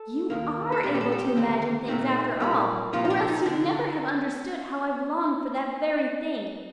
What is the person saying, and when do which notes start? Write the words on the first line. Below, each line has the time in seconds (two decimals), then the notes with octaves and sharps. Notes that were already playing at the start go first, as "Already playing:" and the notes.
You ARE able to imagine things after all or else you'd never have understood how I've longed for that very thing.
Already playing: A4
0.30 D#2 D#3 A#3
0.72 A4
0.83 A#2 G3 C4 G4
0.95 G4
1.01 A4
1.12 A4
1.18 G4
1.36 D#2 D3 A3 C4
1.88 C2 A#2 A3 C4 D#4
2.40 A#2 G3 A#3
2.93 A#2 F3 C4 F4
3.05 D#4
3.10 D4
3.28 D#4
3.46 D3 D4